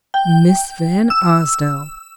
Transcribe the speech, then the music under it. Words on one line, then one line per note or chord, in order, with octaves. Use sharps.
"Miss Van Arsdale!"
G5
E6